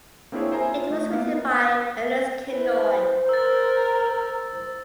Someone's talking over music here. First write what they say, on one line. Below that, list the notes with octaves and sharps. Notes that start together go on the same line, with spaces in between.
It was written by Ernest Kinoy.
A#3 C4 D4 E4 G#4 C#5
G#4 C5 E5 G#5 A#5
F4
A3
A#3 B3 F5
E4 B4 C5
A#4 E6 A6